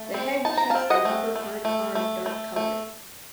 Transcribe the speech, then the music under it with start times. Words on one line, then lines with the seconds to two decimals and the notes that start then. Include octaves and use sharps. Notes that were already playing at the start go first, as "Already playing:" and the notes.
The head, chest and upper part are of dark color.
Already playing: A3
0.14 C4
0.45 D#4 A5
0.57 A#5
0.70 C4 F5 A5
0.90 D#5 F#5
1.05 A3
1.36 A3
1.65 A3
1.95 A3
2.26 A3
2.56 A3